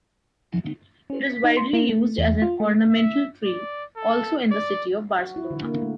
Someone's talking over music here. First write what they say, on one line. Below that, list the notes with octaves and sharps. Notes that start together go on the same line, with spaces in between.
It is widely used as an ornamental tree, also in the city of Barcelona.
C#4
B6
D#4
C6
A#3
A3
E2
F4
A3
E5
D5
A4
D5
F#4
E4
D3
A#3
A3